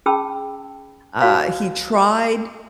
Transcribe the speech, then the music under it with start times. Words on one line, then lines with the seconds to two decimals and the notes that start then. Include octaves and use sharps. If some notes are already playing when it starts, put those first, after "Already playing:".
Uh, he tried
0.06 C#4 G#4 G5 A5 B5 E6
1.22 F#4 C#5 F5